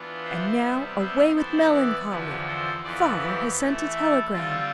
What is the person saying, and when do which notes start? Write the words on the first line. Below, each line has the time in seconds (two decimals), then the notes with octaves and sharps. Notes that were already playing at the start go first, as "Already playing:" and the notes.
'And now, away with melancholy! Father has sent a telegram.
Already playing: E3 B3 D4 F4
0.24 C5 E5
0.61 C3 G3 B3
0.98 C5 E5
1.35 E3 B3 E4 A4 C5
1.72 B4 D5
2.10 E2 D3 F3 G4 B4
2.47 A4 C5
2.84 F2 E3 B3 B4 D5
3.22 G4 B4
3.58 E3 A3 E4 A4
3.96 A4
4.32 D3 G3 C4 F4 A4